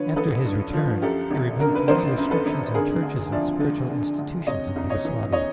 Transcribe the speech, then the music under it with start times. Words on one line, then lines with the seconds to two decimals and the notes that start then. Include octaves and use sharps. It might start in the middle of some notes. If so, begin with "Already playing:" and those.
After his return, he removed many restrictions on churches and spiritual institutions in Yugoslavia.
Already playing: D3 F3 B4 C#5
0.16 A1 A4 B4
0.45 G2
0.73 F3
1.02 F#2 G4 A4
1.31 G#1
1.59 D3 A#4
1.75 B4
1.88 G#1 A#4 C5
2.17 F#2
2.31 A4 B4
2.46 G#1
2.74 D3 G#4 A#4
3.03 D2
3.32 F3 D5 E5
3.60 D2
3.90 D3
4.19 D2
4.47 C3 C#5 D#5
4.76 C2
4.90 C#5 D#5
5.05 E3
5.33 C#5 D#5